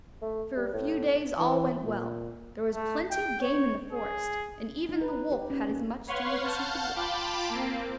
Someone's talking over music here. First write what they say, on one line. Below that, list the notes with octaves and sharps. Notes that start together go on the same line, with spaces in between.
For a few days all went well; there was plenty of game in the forest, and even the wolf had as much to eat as he could wish.
A3
G3
A2
E3
A#2
A3
G5
C#5
G#4
D#4
B4
G4
C#4
A#3
B4 C#5 F5 F#5 C6 C#6
F5 F#5 A5 F6 G6
F4 F5 G5 A5 B5 D6
A#3 C4